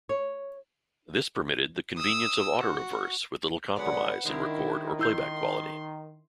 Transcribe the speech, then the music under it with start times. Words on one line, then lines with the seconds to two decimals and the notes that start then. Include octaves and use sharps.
This permitted the convenience of auto-reverse with little compromise in record or playback quality.
0.09 C#5
1.98 D#6 E6
2.56 F#4
3.76 D3 F#3 G#3 B3 B4 D5 F#5
4.25 D#3 G#3 C4 D4 E4 A#4
4.99 E4 C6 E6 G6